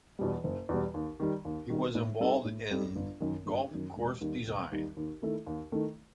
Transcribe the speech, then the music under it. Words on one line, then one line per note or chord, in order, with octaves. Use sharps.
He was involved in golf course design.
E2 B2 G3
F#1
E2 B2 G3
D#2
D#3 G3
D#2
D#3 G3
A2
G3 C4 D#4 A4
A2
G3 C4 D#4 A4
G1
F#2 D#3
G1
F#2 D#3
E1
D#2 D#3 G3
E1
D#2 D#3 G3
D#2
D#3 A3 E4 A4
D#2
D#3 A3 E4 A4